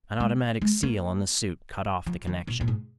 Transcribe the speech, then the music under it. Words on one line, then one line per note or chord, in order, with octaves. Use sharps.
An automatic seal on the suit cut off the connection.
G#3
G#3
A#3
F3
D#3
A#2
A#2
G#2